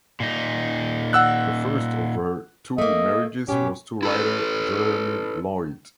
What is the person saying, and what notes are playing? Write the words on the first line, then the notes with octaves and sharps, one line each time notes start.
The first of her two marriages was to writer Jeremy Lloyd.
A#2 D#4
F#5 E6 F#6
A3 A#3 D#5
B2 C#4 G4
E4 A4 B4